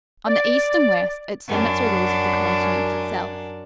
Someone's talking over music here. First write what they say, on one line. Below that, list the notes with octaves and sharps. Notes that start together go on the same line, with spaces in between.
On the east and west its limits are those of the continent itself.
D5
F#2 D4